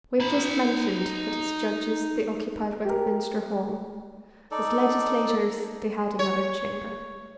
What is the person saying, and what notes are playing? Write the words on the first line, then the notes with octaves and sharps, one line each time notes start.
We have just mentioned that as judges they occupied Westminster Hall; as legislators, they had another chamber.
D#4 B5
G4 A#4
D#4 A4 D5
C#5